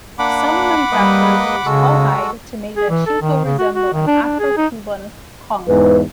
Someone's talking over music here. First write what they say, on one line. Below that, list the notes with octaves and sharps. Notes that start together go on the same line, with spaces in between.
Some manufacturers use cow hide to make the ashiko resemble an Afro-Cuban conga.
A#3 D4 F#5 B5 D6
G3 A#3 B4 D#5
C#3 G#3 F#4 A4
G#4
E3
A4
D#3
C#3
F#4
F#4
D#3
D4
D4
G#4
D#4
E2 G#2 B4